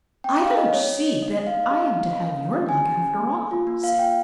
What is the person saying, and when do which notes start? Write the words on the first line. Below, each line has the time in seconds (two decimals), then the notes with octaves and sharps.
"I don't see that I am to have your luck after all," said he.
0.24 C4 G5
0.40 G4 F5
0.57 C4 D#5
0.73 G4 C#5
0.90 G4
1.05 G4
1.21 D#4 D#5
1.38 D#4
1.47 F5
1.55 A#3
1.63 D#5
1.70 G4 F5
1.87 G4
2.03 A#3
2.21 C#4
2.36 C#4
2.53 G4
2.68 C#4 G#5
2.86 G4
3.01 C#4
3.18 A#3
3.34 A#3
3.51 F4
3.67 A#3
3.83 A#3 F5
3.99 F4 G5